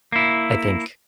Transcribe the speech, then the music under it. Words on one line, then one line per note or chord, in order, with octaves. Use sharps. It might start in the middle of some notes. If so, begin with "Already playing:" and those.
I think
A#3 E4